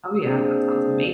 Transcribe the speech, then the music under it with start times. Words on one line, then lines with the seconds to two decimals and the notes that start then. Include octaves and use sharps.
Oh yeah, that sounds amazing
0.24 A#3 C4 D4 G#4 C5 D5